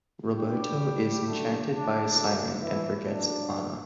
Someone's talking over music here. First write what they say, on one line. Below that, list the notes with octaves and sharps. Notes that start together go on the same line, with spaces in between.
Roberto is enchanted by a siren, and forgets Anna.
A1 G2 D3 G3 G4
D2 D3 F#3 A3
D4
D2 D3 F#3 B3
E3 E4
D2 C#3 F#3 D4